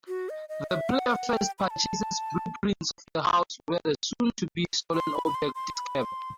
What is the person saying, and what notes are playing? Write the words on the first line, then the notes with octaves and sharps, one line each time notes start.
The player first purchases blueprints of the house where the soon-to-be-stolen object is kept.
F#4
D#5
D#5
E5
F#5
F#5
G5
B5
A5
C6
B5
B5
C6
C6
B5
C6